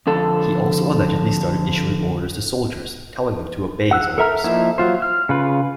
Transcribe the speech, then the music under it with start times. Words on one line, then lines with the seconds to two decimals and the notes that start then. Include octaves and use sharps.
He also allegedly started issuing orders to soldiers, telling them to obey his orders.
0.07 F2 D3 A4
3.91 F#5 E6 F#6
4.18 A4 A#4 E5 A#5 F6
4.44 F3 A#3 D#4 E4 E5
4.78 F#3 F4 C5
5.02 F6
5.29 C#3 F4 B4